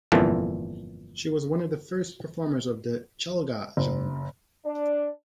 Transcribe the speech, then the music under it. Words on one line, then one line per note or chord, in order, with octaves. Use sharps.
She was one of the first performers of the Chalga genre.
G1 F2 A#2 E3 A4
F#1
D4